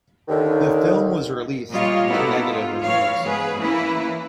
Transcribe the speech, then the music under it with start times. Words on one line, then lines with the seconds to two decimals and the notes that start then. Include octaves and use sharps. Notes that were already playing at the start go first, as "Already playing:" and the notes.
The film was released to negative reviews.
0.28 D#2 D3 D#3
1.73 A#2 G3 F4 C#5 D#5
2.08 A#3 B3 D#4 E4 F#4 A4
2.46 F4
2.84 E3 C#5 F5
3.24 G#2 B3 G#4 B4
3.59 E3 A#3 C#4 E4 B4